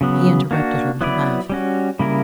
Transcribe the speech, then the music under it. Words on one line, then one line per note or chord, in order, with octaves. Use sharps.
He interrupted her with a laugh.
C#3 F#3 B3
A#3 D4 F#4
F#3 B3 E4 B4 D5
G3 C#4 F#4
C#3 G3 A#3 E4 A#4